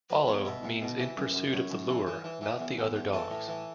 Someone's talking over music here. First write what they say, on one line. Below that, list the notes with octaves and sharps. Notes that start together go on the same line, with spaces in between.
"Follow" means in pursuit of the lure, not the other dogs.
F#3 B4
E2 C#5
B2 E5
E2
B2
E3
F#2
F#2
F#2 C#5
F#2
E3
E3
E3
E3
E2
E2
E2
E3 A4
A2
E3